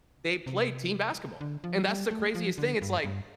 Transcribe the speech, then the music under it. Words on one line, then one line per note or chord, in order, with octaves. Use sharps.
they played team basketball, and that's the craziest thing, it's like,
C3
D3
F3
G3
A3
F3
D3
G2
G2